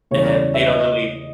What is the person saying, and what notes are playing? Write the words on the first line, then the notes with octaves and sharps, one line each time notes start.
and they don't really
E2 C#3 E3 G3 C#5
D5
E5
D#5